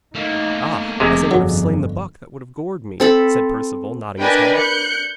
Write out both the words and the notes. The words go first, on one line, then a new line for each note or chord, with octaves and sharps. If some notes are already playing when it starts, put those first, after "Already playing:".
'Ah, as I would have slain the buck that would have gored me,' said Perceval, nodding his head.
A3 A#3 D#4
F1 C3 G#3
G1 F2 F#3
C4 A4 B5
D4 A#4 B4 D#5 G5 G#5
F#6 G6 C#7